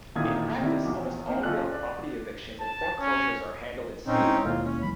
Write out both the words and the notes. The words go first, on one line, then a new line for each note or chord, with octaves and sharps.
In practice, almost all real property evictions and foreclosures are handled in state court.
E1 A#2 D#3 E4 D#6 G#6
C3 D#3 D4 E4
A#1 E2 F#4 D6
A#3 C4
F#1 F4 A4 F#6
D5
A5
C#4
A#2 C4 C#4 D#4
G#3 E4
D#2 B2 A#3 F4
C#4
C#2 F#2 E3 B5